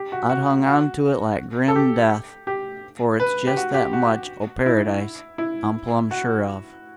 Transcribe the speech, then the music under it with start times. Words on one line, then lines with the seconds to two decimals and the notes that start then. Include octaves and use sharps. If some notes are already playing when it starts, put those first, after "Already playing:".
I've hung on to it like grim death, for it's jest that much o' Paradise I'm plumb sure of.
Already playing: G4
0.12 F#4
0.29 F#4
0.66 F#4
1.68 A4
1.76 G4
2.47 G4
3.20 B4
3.47 G4
3.57 F#4
3.74 G4
3.93 F#4
4.66 E4
5.38 E4
6.11 F#4